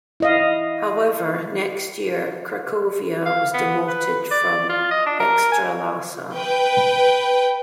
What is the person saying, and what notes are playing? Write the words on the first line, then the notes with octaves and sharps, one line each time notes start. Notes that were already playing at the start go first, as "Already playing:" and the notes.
However, next year, Cracovia was demoted from Ekstraklasa.
E4 D#5 F5
F5
B3
B4
D5
F4
D#5
D4
A#4
G#5
B4 G5